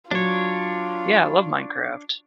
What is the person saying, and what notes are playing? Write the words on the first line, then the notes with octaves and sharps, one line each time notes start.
Yeah, I love Minecraft.
F#3 D4 F4 C#5